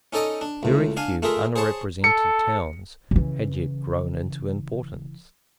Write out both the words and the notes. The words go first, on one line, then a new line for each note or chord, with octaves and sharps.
Very few unrepresented towns had yet grown into importance.
C#4 D#4 A4 D5 D#5
D4
C#2 A2
D4 F5 G#5
A3 F4 G#4 A#4 E5
G#4 C5 C#5 A5
A4 C#7
C#3 E3